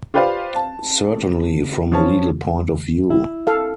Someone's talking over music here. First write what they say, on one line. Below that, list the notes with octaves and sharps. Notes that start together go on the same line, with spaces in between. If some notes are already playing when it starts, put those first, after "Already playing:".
Certainly from a legal point of view.
F4 G4 B4 C5 D5 F5
A5
F3 C#4 A5
E4
A4 F5